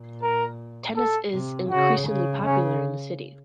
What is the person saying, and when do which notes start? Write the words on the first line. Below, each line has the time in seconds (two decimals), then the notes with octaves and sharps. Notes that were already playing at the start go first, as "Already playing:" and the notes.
Tennis is increasingly popular in the city.
Already playing: A#2
0.22 A#4
0.96 A4
1.34 C3
1.70 C#3 F#4
2.07 C#3
2.45 C#3 C#4